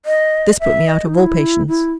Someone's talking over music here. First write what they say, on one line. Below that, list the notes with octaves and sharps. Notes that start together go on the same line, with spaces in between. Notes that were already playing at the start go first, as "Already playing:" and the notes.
This put me out of all patience.
D#5
E5
D#5
D#4
E4
E4